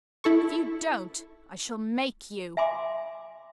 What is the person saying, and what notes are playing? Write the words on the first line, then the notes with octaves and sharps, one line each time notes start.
"If you don't, I shall make you."
E4 A4 C#6
E5 G#5 C6 D6